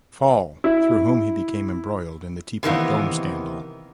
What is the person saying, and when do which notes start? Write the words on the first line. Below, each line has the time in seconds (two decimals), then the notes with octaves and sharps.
Fall, through whom he became embroiled in the Teapot Dome scandal.
0.64 E4
2.63 C3 D#3 E3 A#3 B3